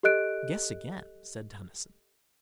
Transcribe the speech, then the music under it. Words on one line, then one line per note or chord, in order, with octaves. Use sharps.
"Guess again," said Tennyson.
G4 A4 D#5 F#6 D7